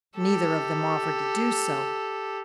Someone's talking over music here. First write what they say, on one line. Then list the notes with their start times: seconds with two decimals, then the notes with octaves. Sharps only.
Neither of them offered to do so.
0.18 G4 A4